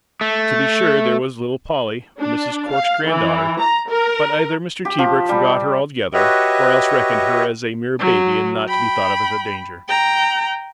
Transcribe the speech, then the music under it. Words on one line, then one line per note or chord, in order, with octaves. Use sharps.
To be sure there was little Polly, Mrs. Cork's granddaughter, but either Mr. Tebrick forgot her altogether, or else reckoned her as a mere baby and not to be thought of as a danger.
A3
D4
F5
E3
A#5
A#4
G4
F3
G3
F#4 G4 B4 C#5 D#5 E5
F#3
G5 B5
G5 A#5